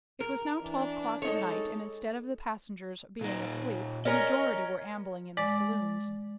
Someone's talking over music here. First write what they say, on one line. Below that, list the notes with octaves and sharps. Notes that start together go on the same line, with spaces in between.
It was now twelve o'clock at night, and instead of the passengers being asleep the majority were ambling in the saloons.
A#4
E3 D4
G#3 D#4 A4 C#5
A#2 D#4
C#4 A#4 D#5
G#3 D5